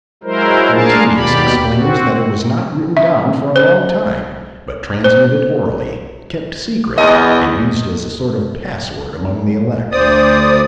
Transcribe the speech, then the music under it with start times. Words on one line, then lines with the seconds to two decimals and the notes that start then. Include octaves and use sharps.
Rutinius explains that it was not written down for a long time, but transmitted orally, kept secret, and used as a sort of password among the elect.
0.23 F#3 G#3 E4 A#4 C5
0.72 D4 F4 G#4 A#4 F5 A5
1.14 D#2 B2 G4 D5 B5
1.74 C4 F#4
2.97 E5
3.56 C5
5.04 C5
6.98 E2 D#5
9.92 D2 C5 D5 D#6